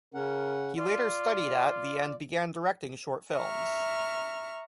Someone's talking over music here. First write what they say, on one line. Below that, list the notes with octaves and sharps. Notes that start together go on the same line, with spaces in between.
He later studied at the and began directing short films.
C#3 C#4 A#4 F#5
F4 D5
E5 A#5 C#6 F6